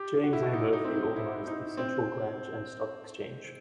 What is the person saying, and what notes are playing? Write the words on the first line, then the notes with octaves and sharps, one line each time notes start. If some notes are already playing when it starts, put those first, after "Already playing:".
James A. Murphy organized the Central Grange and Stock Exchange.
Already playing: G4
F#4
E4
F#4
D#4
D#4
C4
E4
D#4
C4